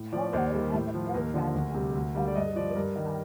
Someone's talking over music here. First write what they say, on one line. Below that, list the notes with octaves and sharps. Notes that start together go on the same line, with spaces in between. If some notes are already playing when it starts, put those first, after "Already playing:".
Toro has a program called the Toro Kids Club.
Already playing: A2
F3 D5
D#2 C5
D#3 G3
A2
F3
D#2 A#4
D3 F3
D2
C3 G3
D2
D3 G3
D5
G2 D#5
F3 D5
G2 A#4
D#3 G3